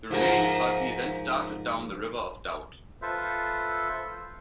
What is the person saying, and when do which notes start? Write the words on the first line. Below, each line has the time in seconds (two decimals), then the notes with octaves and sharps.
The remaining party then started down the River of Doubt.
0.10 G#2 F3 A#4
3.02 F4 A4 B4 C5 E5